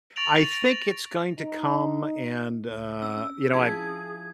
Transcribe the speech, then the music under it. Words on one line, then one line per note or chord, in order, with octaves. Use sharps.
I think it's going to come and, uh, you know, I b
C#6 A6 A#6 D7 F7 F#7
A6 A#6 D7
D#4
C#2
C4 C#4 E6
F3 E4 G#4 G#6